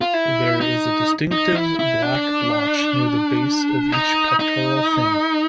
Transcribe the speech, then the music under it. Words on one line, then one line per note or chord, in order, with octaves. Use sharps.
There is a distinctive black blotch near the base of each pectoral fin.
F4
E4
D#4
D#4
E4
E4
D4
D#4
D#4